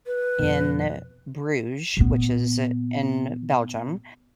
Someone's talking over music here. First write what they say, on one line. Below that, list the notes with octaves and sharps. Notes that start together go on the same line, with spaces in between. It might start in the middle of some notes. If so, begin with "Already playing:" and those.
in Bruges, which is, eh in Belgium,
B4
F2 B2
A#2 B3